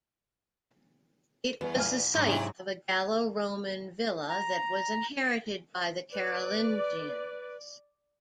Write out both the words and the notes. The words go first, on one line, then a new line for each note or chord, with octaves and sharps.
It was the site of a Gallo-Roman villa that was inherited by the Carolingians.
E2 B3
A#1 G#5 F6
G#2 F#3
C3 D4 E4 G#4 D#5
A#5
B4 D5